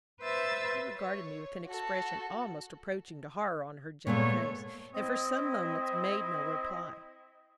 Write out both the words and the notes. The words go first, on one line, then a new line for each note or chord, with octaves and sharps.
She regarded me with an expression almost approaching to horror on her gentle face, and for some moments made no reply.
B4 C5 E5 E6 A6
C#5
F#4 A4
A#2 G#3 A3 B3 A4 C#5
C4 E4 D#5